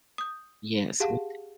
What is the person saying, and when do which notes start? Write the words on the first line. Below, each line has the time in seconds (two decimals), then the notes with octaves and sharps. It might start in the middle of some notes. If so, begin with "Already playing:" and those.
Yes, wi t
0.18 D#6 G6
1.00 G4 G#4 F5 F#5 A5